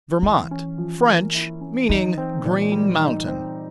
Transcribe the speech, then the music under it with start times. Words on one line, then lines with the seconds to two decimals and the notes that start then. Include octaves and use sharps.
Vermont--French; meaning "green mountain."
0.22 E3 E4
0.51 C#4
0.78 F3
1.06 A#3
1.34 E4
1.61 C#4
1.89 E3 D#4
2.18 C4
2.45 A#2
2.72 G3
3.01 D#4
3.27 C4